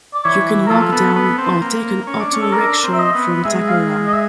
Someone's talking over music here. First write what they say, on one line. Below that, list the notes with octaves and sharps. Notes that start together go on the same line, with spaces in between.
You can walk down or take an auto rickshaw from Takari.
D5
E3 C#5
A#4
F3 A4
B3
B3
C4
A#3
C#4
D4
C#4
A4
D4 A#4
C4
E5
D#5
B3
G#3 E5
F5
D#5
E5